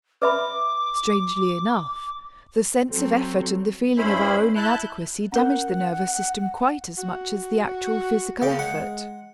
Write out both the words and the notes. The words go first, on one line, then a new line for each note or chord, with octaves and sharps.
Strangely enough, the sense of effort and the feeling of our own inadequacy damage the nervous system quite as much as the actual physical effort.
B4 E5 B5 D6
F#3 C4 A4
G2 C#4 E4 C5 B5
E4 A5 F#6 G6
C#4 A#4 F#5
F#4
C#3 A#3 G5
G#3 F#5